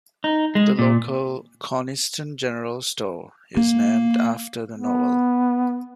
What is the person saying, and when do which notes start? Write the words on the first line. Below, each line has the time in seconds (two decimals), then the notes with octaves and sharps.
The local "Coniston General Store" is named after the novel.
0.24 D#4
0.55 G#3
0.79 A#2
3.57 A#3
4.75 B3